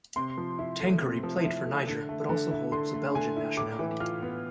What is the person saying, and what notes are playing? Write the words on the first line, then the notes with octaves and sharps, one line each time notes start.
Tankary played for Niger, but also holds a Belgian nationality.
C3 C6
F3
E4
A3
C3
F3
E4
A3
D3
A3
D3
E4
D3 C6
A3
D3 G#5
E4
A2 D6
E3
F4 F6
B3